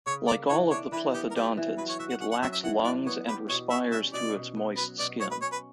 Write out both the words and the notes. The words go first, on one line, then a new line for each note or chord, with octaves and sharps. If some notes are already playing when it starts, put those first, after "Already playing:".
Like all of the plethodontids, it lacks lungs and respires through its moist skin.
C#3 C#5
A#3 D5
E3 C#5
D4 C#5
E3 B4
B3 G4
A#4
G3 G4
E3
F#3 B4
C#5
F#4 E5
F#5
C#4 F#5
F#5
F#3 E5
E5
E3 F#5
D4 D5
B3 C#5
G4 B4
B2 C#5
C#4 E5
G3 E5
B2 D5
B2
B3
F#3 B4
B2 D5
B2 C#5
B4
C#4 C#5
B4